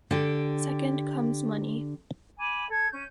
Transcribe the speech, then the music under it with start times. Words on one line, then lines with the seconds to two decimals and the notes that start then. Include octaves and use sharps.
Second comes money.
0.11 D3 G4
2.38 G#5 B5 D6
2.68 A4 G#6
2.90 C#4 G6